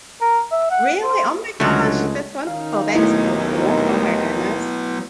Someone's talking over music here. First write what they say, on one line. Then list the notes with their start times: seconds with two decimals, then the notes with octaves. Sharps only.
Really? Oh my gosh, that's wonderful. That is so cool. Oh my goodness,
0.21 A#4
0.52 E5
0.71 F#5
1.03 C5
1.60 C#2 D3 F#3 G#3 A3
2.47 D#3 C#4 D#4 F5
2.95 D#2 F#3 A3 B3 E4